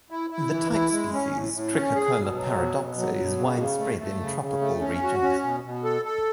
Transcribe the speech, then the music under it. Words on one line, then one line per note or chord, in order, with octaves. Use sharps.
The type species, Trichocoma paradoxa, is widespread in tropical regions.
E4
E4
E3
E4
G#3
C#4
A2
A2
C#4
G#4
B2
F#3
B2
B2
F#3
B2
C#3
C#3
A3
A3
C#3
C#3
A3
C#4
F#4
C#4
B2
B2
A4
A4